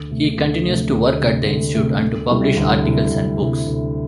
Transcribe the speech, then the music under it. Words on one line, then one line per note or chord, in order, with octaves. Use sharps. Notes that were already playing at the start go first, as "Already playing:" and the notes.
He continues to work at the Institute, and to publish articles and books.
Already playing: D2
C3 A3
D2
C3 A3
D2
C3 A3
D2
C3 A3
D2
C3 G3 E4
D2
C3 G3 E4
D2
C3 G3 E4
D2